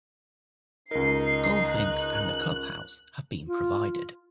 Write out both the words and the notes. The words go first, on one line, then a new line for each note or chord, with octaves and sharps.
Golf links and a clubhouse have been provided.
C#2 D#4 A#4 C7
F#6
F4